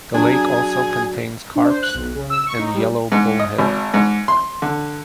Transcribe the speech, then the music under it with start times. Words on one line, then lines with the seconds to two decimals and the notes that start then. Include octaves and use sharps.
The lake also contains carps and yellow bullhead.
0.14 F#3 D4 G#4
1.55 D4
1.69 C5
1.82 F#6
1.94 B1
2.15 C#3
2.30 E6
2.46 C#6
2.59 D#4
2.74 G3
3.12 G#2
3.39 D#5
3.58 G#1
3.94 G#2
4.28 C6
4.62 D3